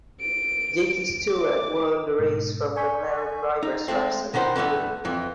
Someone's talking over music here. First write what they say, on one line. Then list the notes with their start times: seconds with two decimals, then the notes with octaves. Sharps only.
Jackie Stewart won the race from McLaren drivers Revson and Hulme.
0.20 D7
1.30 D6
2.19 G#2 B2
2.76 D5 G#5 C#6 G6 B6
3.63 D#4
3.88 G#3 A3 C4
4.34 B2 D#3 B3 C5
4.56 G2 E3 A3 B3
5.05 F2 E3